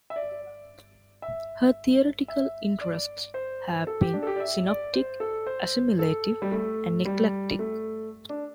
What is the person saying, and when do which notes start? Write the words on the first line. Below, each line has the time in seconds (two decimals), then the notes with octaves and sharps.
Her theoretical interests have been synoptic, assimilative and eclectic.
0.10 E5
0.16 D5
1.22 E5
2.28 E5
2.81 D5
3.34 C5
3.87 A4
4.01 G4
4.13 D4
4.23 A4
4.27 G4
4.36 D5
4.40 E5
4.67 D5
4.93 C5
5.20 A4
5.46 C5
5.99 A4
6.42 G3
6.52 A3
7.05 G3
7.59 A3
8.29 D4